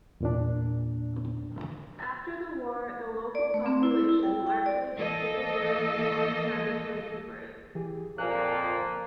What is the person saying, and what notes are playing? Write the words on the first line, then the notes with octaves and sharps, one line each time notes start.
After the war the local population, largely depleted during the war, started to recuperate.
E2 A#2 D4
D5
A3
C4
E4
E4
G5
G5
D5
E3 A#3 A4 D#5
E3 G4 G#4
F2 A#2 F3 A#3 G#5 F#6